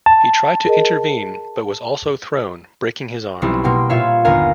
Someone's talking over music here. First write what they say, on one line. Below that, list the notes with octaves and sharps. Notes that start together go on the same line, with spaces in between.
He tried to intervene, but was also thrown, breaking his arm.
A5
G#4 A#4 D#5
B1 G3 C4 E4 G4
B2 A#3 G5 C6
A#2 F4 C#5 E5 F5
G1 D#2 B3 A#4 F5 G#5